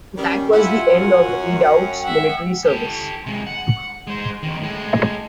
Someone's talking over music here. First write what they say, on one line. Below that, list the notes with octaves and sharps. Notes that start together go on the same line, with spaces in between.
That was the end of the Redoubt's military service.
D#3 G3 C#4
G3 E4 F4 F#5 G#5
F#2
G5
E5 F#5
G4 A4
C3 G#3
F#5
G#3 C5
F2 D#3
A2 G#3